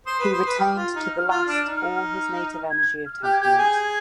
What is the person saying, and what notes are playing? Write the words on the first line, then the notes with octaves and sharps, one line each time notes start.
He retained to the last all his native energy of temperament.
C5 D#6
B4
C5
B4
G4 F6
F4
D#4
F4
D4
D#4
G#6
F6
G4 G6
G#6
G4 G6
G#6
G#4 G6
G#6